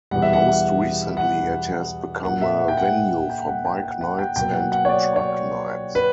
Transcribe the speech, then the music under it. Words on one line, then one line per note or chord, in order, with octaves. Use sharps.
Most recently it has become a venue for bike nights and truck nights.
E2 B2 G3 F#5
E5
F#5
F#5
A#2 A#3 F#5
E5
F#5
G5
F#5
G5
F#5
G5
F#5
F#5
G5
B2 F#3 A#3 G5
F#5
F#5
C#5
D5
C#5
B4